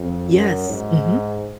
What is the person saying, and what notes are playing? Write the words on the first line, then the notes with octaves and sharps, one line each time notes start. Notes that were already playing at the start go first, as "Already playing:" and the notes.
Yes, mhm.
Already playing: F2
F#2
G#2